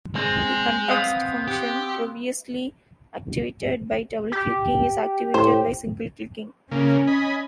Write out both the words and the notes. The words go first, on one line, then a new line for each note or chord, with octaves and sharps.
The context function, previously activated by double-clicking, is activated by single-clicking.
G#3 C4 G#4
B3 C4 F5 D#6
G4
G4
A2 C5
C#3 A#3 C#4
D#5 G#5 B5